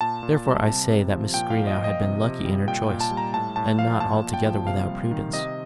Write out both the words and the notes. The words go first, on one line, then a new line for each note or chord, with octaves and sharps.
Therefore, I say that Mrs. Greenow had been lucky in her choice, and not altogether without prudence.
A#2 A5
A#2
G3
C3
C3
F3
A#2 G5
F5
A#2
D#5
F3
D#5
C3
C3
G3
A#2 G5
A#2
A5
G3
A#5
A2 A5
A2 A5
F3 F5
A#2 A5
A#2
G5
F3
C3 F5
G3
D#3
C3 D#5